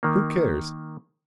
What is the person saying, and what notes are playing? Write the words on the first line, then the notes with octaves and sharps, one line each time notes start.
Who cares?
D#3 A#3